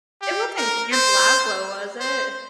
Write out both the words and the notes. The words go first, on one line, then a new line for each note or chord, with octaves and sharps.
It wasn't Camp Laszlo, was it?
G4
A#4
C5
C5